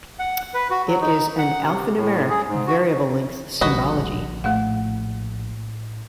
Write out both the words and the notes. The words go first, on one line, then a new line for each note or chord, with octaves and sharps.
It is an alphanumeric, variable length symbology.
F#5
B4
F#4
F#3
D#4
F#5
C3
A2
G#4
G#2
F#4
D1 A#1 G3 D4 F#4 B4 D#5
A2 A3 F5 F#5